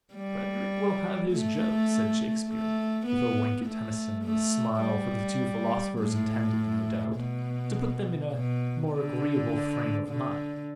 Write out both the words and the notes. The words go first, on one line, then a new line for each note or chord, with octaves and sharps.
"Frederick will have his joke," said Shakespeare, with a wink at Tennyson and a smile for the two philosophers, intended, no doubt, to put them in a more agreeable frame of mind.
G3
A3
A3
B3
A3
A3
G3
A2
B2
B2
D3
D3